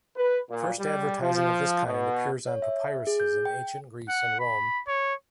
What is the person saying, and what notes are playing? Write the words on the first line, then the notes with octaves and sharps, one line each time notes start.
First advertising of this kind appears on papyruses in Ancient Greece and Rome.
B4
A#2
G3
F3
B2
C#5
E5
G#4
G6
G5
F#5
B5
C#5